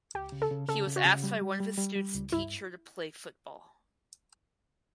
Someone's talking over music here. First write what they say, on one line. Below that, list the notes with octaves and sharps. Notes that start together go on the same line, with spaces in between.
He was asked by one of his students to teach her to play football.
C#2 G4
C#3
A4
C#3
C#3 A4
C#3
F#4
C#3
G3
G3
G3
G3
G3
C#2
G2 E4